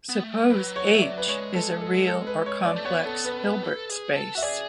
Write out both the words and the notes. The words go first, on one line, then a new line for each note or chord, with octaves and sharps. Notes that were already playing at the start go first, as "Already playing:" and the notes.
Suppose "H" is a real or complex Hilbert space.
B3
A3
G#3
F#3 B4
C#5
E5
D5
B4
G#3 C#5
A4
A4
A4
B4
C#5
D5
A3
B3 C#5
A4
B4
B4
A4
G#4
A4
F#4 E5
G#4 D5